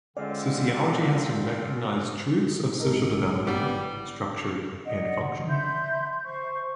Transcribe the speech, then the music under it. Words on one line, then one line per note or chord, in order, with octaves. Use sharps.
Sociology has to recognize truths of social development, structure and function.
D3 G#3 C4 C#4 F4 D5
G#1 D#4 A4 A#4
E3 G3 B3
D5 D#5 F#5
E5 B5 C6 G6
C5 C#6